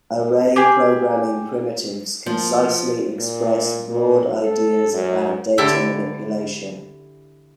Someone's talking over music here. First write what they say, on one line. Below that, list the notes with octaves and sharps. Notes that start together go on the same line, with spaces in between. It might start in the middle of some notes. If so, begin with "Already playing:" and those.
Array programming primitives concisely express broad ideas about data manipulation.
G4 G#4
F3 A#3
A#2
A#2
A4
F#2
D3 E4 G4 A4